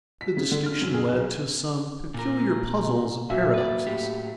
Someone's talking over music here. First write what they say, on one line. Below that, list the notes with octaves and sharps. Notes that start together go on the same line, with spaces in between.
The distinction led to some peculiar puzzles and paradoxes.
B6
C#3
D3
F6
F#2
G#4
B1
A#2 A#4
A#2 F#3 A#3 E5
B4 D5
A2 G4